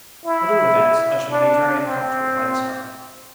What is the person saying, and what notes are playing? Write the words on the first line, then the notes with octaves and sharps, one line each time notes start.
At all events, I shall be made very uncomfortable by this hurry.
E4
D4
C4